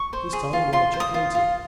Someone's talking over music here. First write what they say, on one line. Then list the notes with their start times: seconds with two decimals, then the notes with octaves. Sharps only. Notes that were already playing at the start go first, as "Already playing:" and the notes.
"This time we are checkmated."
Already playing: C#6
0.13 C5
0.33 G#4
0.53 F4
0.73 F4 C6
0.94 C5
1.00 D#6
1.14 F4
1.35 F4